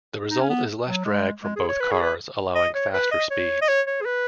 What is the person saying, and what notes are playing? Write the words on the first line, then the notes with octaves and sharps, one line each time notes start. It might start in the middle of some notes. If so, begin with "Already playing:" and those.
The result is less drag for both cars, allowing faster speeds.
D#4
C#4
B3
F#3
G#3
G#3
G#4
C#5
B4
G#4
B4
D#5
C#5
B4
D#5
C#5
D#5
C#5
C#5
G#4
B4